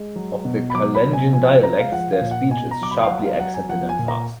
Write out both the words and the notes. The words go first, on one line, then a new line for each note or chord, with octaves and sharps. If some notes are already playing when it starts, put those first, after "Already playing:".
Of the Kalenjin dialects, their speech is sharply accented and fast.
Already playing: G#3
F#3
B2
B5
F#3 D6
B5
B2
G#5
F3 G#5
G#3 A#5
F5
F3 F#5
F5
A#2
F#5
B2 G#5
A#5
F#3 D6
B5
F5
F#3 F#5
F5
F#3 F#5
G#5
F3 F#5
G#5
A#2
A#5